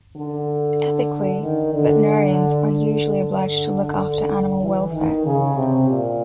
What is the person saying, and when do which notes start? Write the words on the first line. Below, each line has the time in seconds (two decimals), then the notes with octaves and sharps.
Ethically, veterinarians are usually obliged to look after animal welfare.
0.16 D3
1.43 D#3
1.74 D3
2.70 D3
4.61 E3
4.93 D#3
5.25 C#3
5.55 C3
5.88 A#2